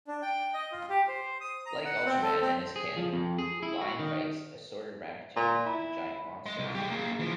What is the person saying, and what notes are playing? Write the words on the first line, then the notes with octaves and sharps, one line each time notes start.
Like Ultraman and his kin, Line fights assorted rampaging giant monsters.
D4
G5
D#5
F4
G4
C5
D#6
A#5
F#5
C4
A4
C4
G#4
F3
F2
G#4
E4
F#4
D#3
A#2
E4
D#5 C6
C2
G#3 G4
A#3 G#4
E3 F3